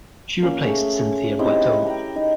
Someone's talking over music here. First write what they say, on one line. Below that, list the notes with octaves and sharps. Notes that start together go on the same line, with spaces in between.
She replaced Cynthia Bioteau.
A#3 C#4
A3 G#4
C4 D#4 E4 G4
B4 E5
G5 A#5
D#4